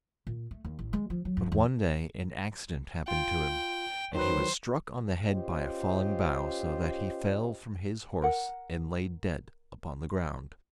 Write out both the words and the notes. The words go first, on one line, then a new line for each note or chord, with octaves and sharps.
But one day an accident happened to him, and he was struck on the head by a falling bough, so that he fell from his horse and lay dead upon the ground.
A#2
A3
D#2
A1
G#3
F3
F#3
F2
E2
F4 G5
D#3 F#3 B4 C5
C#4 F4 G4 C5 D#5
A#4 F#5